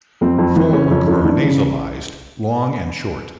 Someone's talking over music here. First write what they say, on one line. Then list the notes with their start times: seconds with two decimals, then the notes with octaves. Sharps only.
Four occur nasalized, long and short.
0.21 F2 C4
0.38 F2
0.56 E3
0.73 C#3 C#4
0.90 F2
1.07 F2
1.25 E3 D4
1.42 C#3